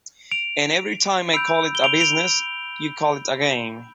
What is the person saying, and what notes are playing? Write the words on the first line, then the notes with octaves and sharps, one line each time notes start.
And every time I call it a business, you call it a game.
D7 F7
B5 E6 G6 D7 F7
G7
D7 F7
D7 F7